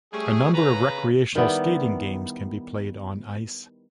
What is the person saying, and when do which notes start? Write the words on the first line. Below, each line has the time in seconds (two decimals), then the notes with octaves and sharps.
A number of recreational skating games can be played on ice.
0.13 G3 A3 C#4 G#4
0.54 C#3 B4 A#5
1.35 D#3 G3 B3 E4